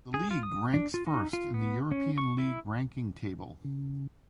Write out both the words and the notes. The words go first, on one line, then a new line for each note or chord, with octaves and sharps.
The league ranks first in the European league ranking table.
G#4
F4
D#6
D4
F4
D#4
F4
B3
C#4
C#6
E4
C#3